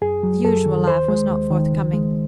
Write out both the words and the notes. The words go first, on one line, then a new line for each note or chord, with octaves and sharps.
The usual laugh was not forthcoming.
F#2 G#4
F#3
F#2 A4
D#3
D#2 C5
G#3
D#2
D#3
C#2
G#3